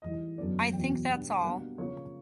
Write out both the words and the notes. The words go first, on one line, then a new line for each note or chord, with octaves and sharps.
I think that’s all.
G#2 E3 G3 D#5
F#2 D3 F#3 B3 D4 D5
E2 B2 F#3 B3 G5
B2 G3 B3 D4
F5
B2 G3 A#3 D4 F#5
C#3 F3 A#3 C#5